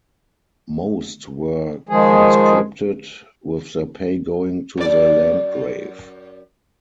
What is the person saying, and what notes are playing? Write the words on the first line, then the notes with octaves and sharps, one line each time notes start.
Most were conscripted, with their pay going to the Landgrave.
D#3 F3 G#3 G#4
F#2 D5